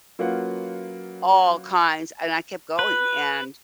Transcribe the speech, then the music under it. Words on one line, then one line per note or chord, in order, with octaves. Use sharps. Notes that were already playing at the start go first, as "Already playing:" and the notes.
all kinds and I kept going and
F#3 A#3 C#4 F4 B4 F#5
B4